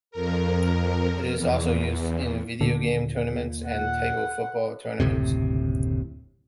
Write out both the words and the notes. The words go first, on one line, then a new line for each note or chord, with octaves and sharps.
It is also used in video game tournaments and table football tournaments.
F2 A#4
E2
D#2 A#2 D3
F#5
F#1 D2 A2 C3